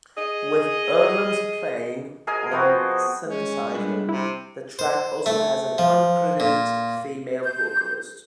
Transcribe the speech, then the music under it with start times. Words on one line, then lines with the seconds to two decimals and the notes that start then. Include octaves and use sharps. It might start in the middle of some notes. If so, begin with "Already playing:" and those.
With Earland's playing on synthesizer, the track also has an uncredited female vocalist.
0.18 G#4 D#5
2.27 G#4 A#4 D#5 G#5
2.51 F3 B3 C4 F#4
3.27 G#3 C#4
3.74 G3 B3 D4 E5
4.09 C3 E4
4.79 C5
5.26 A3
5.78 F3
6.40 A#2
7.44 G6